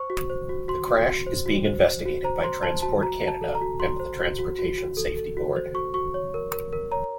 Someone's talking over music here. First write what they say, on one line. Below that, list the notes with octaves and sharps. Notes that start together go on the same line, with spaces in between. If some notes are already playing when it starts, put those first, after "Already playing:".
The crash is being investigated by Transport Canada and the Transportation Safety Board.
Already playing: C5 C#6
F#4
C5
F#4
F#4 C6
F#4
F#4
C5
F#4
C5
C5
F#4
C5 A#5
C5 C6
C5 A5
F#4 A5
F#4 A#5
F#4
A5
A4
A#5
F#4
F#4 C6
C5
F#4
F#4
F#4
F#4
A4
A4
F#4
C5
F#4 C#6
F#4 C#6
C#5
A#4
A#4
A#4
C#5 A#5